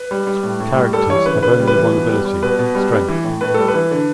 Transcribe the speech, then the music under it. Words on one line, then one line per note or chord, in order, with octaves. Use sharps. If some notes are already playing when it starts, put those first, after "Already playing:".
Characters have only one ability, Strength.
Already playing: B4
G3
G3
A2
A2
G3
G3 A4
E3 C#5
C#3 B4
C#3 B4
G3
B4
E3
B2
G3
G3
B2 B4
B2
G3
G3
E3
A2
A2 B4
G3 A4
B4
E3
D3